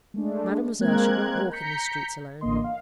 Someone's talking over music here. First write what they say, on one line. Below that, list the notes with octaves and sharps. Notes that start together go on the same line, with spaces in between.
Mademoiselle should not walk in these streets alone.
G#3 A3 D4
G#3 A#3 C4 A#4 F#6 G#6
A#5 G6 B6 C#7
A1 D3 A#3 D#5 C6
F5